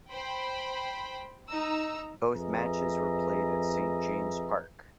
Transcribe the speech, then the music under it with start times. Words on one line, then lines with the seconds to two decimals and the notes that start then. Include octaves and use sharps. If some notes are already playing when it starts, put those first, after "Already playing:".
Both matches were played at Saint James Park.
0.11 C5 G5 B5
1.48 D#4 A#5 E6
2.35 F2 G#4 B4 D#5 E5 A#5